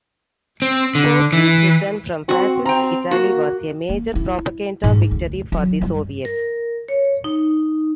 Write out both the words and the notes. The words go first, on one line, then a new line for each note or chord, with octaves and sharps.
Gorky's return from Fascist Italy was a major propaganda victory for the Soviets.
C4
D3
E3
C4 F#4
C4 G5 A#5
A#3 F#4
A#3
E4
G#2
D2
F#3
G2
A#4
C#5
D#4